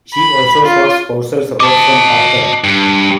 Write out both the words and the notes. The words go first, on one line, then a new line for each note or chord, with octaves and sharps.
She also sought spousal support from Parker.
B5
F4
D#5 A5 D6
G2